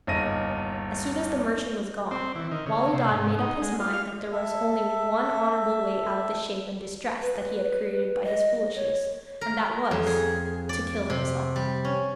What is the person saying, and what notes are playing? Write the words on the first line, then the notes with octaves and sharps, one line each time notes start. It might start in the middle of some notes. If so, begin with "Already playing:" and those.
As soon as the merchant was gone Wali Dad made up his mind that there was only one honourable way out of the shame and distress that he had created by his foolishness, and that was--to kill himself.
G1 D#2 C#3 D#5 A#6 D#7
C4
E3
D#3
C#3
C3
G#2
D#4
G#3
F4
F5
A4 E5
B4
D#5
C#5
A#4
F2
G#4
D5
C3
G3
C#4